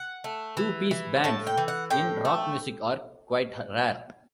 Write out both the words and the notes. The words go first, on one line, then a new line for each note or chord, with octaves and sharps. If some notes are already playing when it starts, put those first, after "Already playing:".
Two-piece bands in rock music are quite rare.
Already playing: F#5
A3
E3
E3
A2 A5
G5
E3
F#5
A2 G5
A3